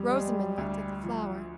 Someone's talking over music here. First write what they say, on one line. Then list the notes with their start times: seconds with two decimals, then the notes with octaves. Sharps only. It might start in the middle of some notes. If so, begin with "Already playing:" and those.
Rosamond looked at the flower.
Already playing: F2 G3
0.13 G#3
0.58 D2
1.04 F3